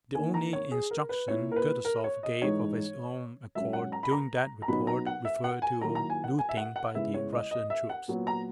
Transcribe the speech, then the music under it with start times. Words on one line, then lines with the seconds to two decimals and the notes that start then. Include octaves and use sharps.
The only instruction Kutuzov gave of his own accord during that report referred to looting by the Russian troops.
0.15 D#3 A#3 D#4 G#5
0.34 A#5
0.53 C#5
0.71 G#4
0.91 A#4
1.09 B4
1.28 A#2 A#3 E4 C#5
1.52 A#4
1.56 B4
1.85 A#4
2.04 C#5
2.23 D#5
2.42 G#2 E3 G#3 D#4 C#5
3.55 G#2 F#3 C#4 E5
3.73 F#5
3.92 A#5
4.03 B5
4.11 A#5
4.62 A#5
4.68 B2 F#3 B3 D#4 B5
4.87 A#5
5.06 F#5
5.25 E5
5.44 F#5
5.62 G#5
5.81 D#3 F#3 A#3 E4 A#5
5.95 A#5
6.10 G#5
6.24 F#5
6.39 G#5
6.49 E5
6.57 F#5
6.76 F#5
6.94 C#3 G#3 B3 E4 E5
7.14 C#5
7.33 D#5
7.51 D#5
7.70 E5
7.89 F#5
8.08 A#2 F#3 B3
8.27 A#5